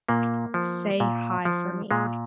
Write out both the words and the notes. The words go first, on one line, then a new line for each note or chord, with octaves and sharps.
Say hi for me.
A#2 A#3
F3
A#2
F3
A#2 G#3